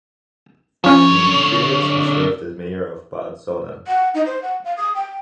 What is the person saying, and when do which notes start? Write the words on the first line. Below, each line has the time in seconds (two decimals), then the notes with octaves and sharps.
He previously served as mayor of Bad Soden.
0.84 D3 F3 C#4 C#5
3.87 F#5
4.14 D#4
4.26 C5
4.42 F#5
4.64 F5
4.77 D#6
4.95 G5